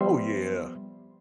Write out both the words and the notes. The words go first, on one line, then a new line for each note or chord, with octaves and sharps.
Oh, yeah.
F3 G3 B3 C5 E5 C6